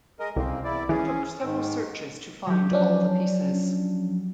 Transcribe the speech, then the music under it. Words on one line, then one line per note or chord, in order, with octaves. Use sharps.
It took several searches to find all the pieces.
G#3 A#4 D#5
C2 C#3 A#3 C4
E2 E4 D5
E3 C#4 G#4
G#2 D#3
F#3 G4
F3 C#4 D4